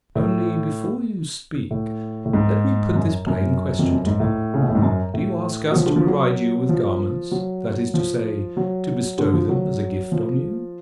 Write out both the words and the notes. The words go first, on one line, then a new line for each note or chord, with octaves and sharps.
"Only before you speak, let me put this plain question to you: Do you ask us to provide you with garments--that is to say, to bestow them as a gift on you?"
A2
A2
A2
G#2
F#2
F#2
F2
F#2
G#2
A2
C#3
B2
A2
G#2
F#2
A2
F#3
F3
D3
F3
F#3
F3
F#3
F3
F#3
D3
F3
F#3
F3